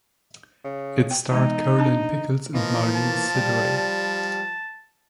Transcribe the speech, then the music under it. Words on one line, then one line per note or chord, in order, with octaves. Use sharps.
It starred Carolyn Pickles and Marlene Sidaway.
C#3
G5
E3 G#3 B3 D#4
D4 A5 A#5
E3 F3 A#3 D#5
A5
G3
A5